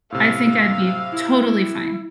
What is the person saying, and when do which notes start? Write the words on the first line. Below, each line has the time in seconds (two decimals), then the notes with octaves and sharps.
I think I'd be totally fine.
0.12 A2 C3 F5 E6
1.13 E4